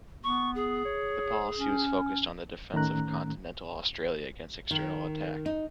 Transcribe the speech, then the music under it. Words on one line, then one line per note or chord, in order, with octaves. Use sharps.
The policy was focused on the defence of continental Australia against external attack.
B3 C#6
G#4
C#5
C#4
A2 D#3 A3 C#4 A#5 F#6
D#3
D#4